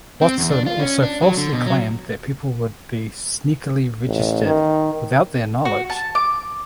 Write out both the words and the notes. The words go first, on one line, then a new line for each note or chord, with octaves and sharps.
Watson also falsely claimed that people would be sneakily registered without their knowledge.
C4
E2
D4
F4
C#4
D4
F#3
D3
B2
F#3
A1
D#3
F#4
A5
D6